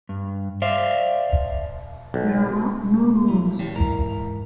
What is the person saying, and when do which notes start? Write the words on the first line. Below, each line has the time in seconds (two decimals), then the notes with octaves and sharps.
There are no rules.
0.09 G2
0.62 C5 D5 E5 F5
2.14 B1
3.28 E3
3.59 D#2 A2 G3 C#4
3.74 G#2 E3 A#4